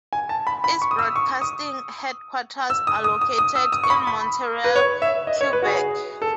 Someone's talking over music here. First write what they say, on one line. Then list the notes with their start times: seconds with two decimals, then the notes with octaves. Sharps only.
Its broadcasting headquarters are located in Montreal, Quebec.
0.13 G#5
0.29 A5
0.47 B5
0.64 B5
0.82 C#6
0.91 D#6
0.99 E6
1.16 C#6
1.41 D#6
2.70 E6
2.87 D#6
3.04 D#6
3.21 D#6
3.38 D#6
3.55 E6
3.72 D#6
3.84 C#6
3.90 B5
4.07 B5
4.64 B4
4.76 C#5
5.02 E5
5.27 D#5
5.41 C#5
5.53 B4
5.62 F#4
5.66 G#4
6.22 A4